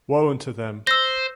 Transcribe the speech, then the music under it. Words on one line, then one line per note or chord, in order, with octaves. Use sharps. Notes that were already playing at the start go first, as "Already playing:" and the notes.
Woe unto them!
C5 E6 A#6